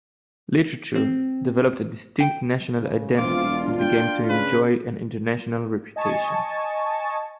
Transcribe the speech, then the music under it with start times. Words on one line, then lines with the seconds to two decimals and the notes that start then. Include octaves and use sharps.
Literature developed a distinct national identity and began to enjoy an international reputation.
0.95 C4
2.20 G5
2.76 C#3
3.18 E1 C4 F4 D6
3.51 D4
3.81 G5
4.30 C#3 B4
5.96 D#5 G#5 A5 C#6